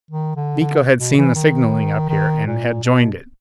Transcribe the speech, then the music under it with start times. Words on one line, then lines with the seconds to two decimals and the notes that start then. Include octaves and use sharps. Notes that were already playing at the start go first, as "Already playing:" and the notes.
Miko had seen the signaling up here and had joined it!
0.11 D#3
0.36 D3
0.60 D3
0.98 B2
1.17 E3
1.35 D#3
2.09 D#3
2.46 A#2
2.84 B2